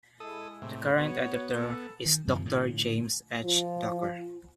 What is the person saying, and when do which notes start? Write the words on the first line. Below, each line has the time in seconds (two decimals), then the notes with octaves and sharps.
The current editor is Doctor James H. Ducker.
0.20 G#3 E4 A4 D#6
0.62 A2 C3
0.98 B3 F#4 C#5
1.53 A4
2.06 D#3
2.27 F#2 C3 D#3 F3
2.45 A2 D3 F3
3.43 F3 F4